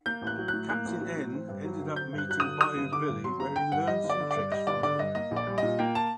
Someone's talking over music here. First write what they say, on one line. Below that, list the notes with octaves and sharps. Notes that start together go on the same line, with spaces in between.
Captain N ended up meeting Bayou Billy where he learned some tricks from him.
A#3 G6
A1
F#6
F#3
F#6
A2
A#3 F#6
A1
F#3
A2
C4
G2
F#3
D3
C4 G6
G2
F#6
F#3 F#6
D3 D#6
F#3 D#6
G1
D3 D6
G2
F#3 C6
G1 A#5
D3 G5
G2 F#5
G3 D#5
G1
D5
D3
D5
G2
G3 D#5
G1 D5
D3 D5
G2 D#5
A#3 D#5
A#1
D5
G3
A#2 D#5
A#3 G5
A5